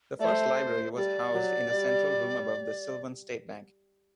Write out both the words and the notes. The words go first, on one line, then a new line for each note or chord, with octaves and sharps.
The first library was housed in a central room above the Sylvan State Bank.
A3 C5 D5
G3 D5
F#3
G3